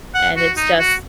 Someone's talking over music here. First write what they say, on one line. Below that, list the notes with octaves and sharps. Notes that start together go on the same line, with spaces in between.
and it's just,
F#5
F#4
D#4
F#4